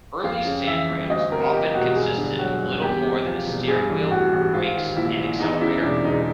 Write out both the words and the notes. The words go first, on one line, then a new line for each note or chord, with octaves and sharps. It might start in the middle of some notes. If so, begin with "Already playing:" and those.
Early sandrails often consisted of little more than a steering wheel, brakes and accelerator.
F2 F5
C#3
E3 E5
G1
D2 D#5
C3 A#4
F3 G4
E1 F#4
G2 G#4
D3
F#3 F#4
G1
E2 G4
C3
F3
E1
G2 G#4
E3
A1 F#4
A1
G#2 F4
D#3
A#1 E4
A#1
E2 D#4
C#3 E4
E1 D4
E1 D#4